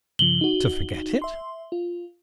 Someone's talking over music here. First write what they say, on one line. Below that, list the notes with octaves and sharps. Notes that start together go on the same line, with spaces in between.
"To forget it!"
G2 C#3 F3 F#7 G7
D#4 F#4
E5 C6
F4